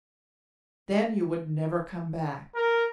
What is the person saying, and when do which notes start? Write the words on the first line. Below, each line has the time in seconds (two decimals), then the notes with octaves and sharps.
Then you would never come back.
2.55 A#4